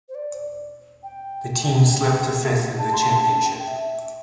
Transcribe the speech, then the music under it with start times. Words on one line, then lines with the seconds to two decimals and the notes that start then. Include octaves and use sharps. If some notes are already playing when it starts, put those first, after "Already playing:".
The team slipped to fifth in the championship.
0.09 C5
0.15 D5
1.03 G5
2.78 A5
2.93 C6
3.01 A5
3.22 A5
3.44 G5
3.67 E5